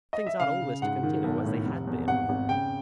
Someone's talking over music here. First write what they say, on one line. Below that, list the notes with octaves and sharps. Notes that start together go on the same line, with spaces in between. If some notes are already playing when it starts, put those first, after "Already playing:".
Things ought always to continue as they had been.
D#5
E5
C#3 F5
C#3
G#2 F#5
D#3
B1
A2
F1
E2
G#1 F#5
G#1
C#3 G5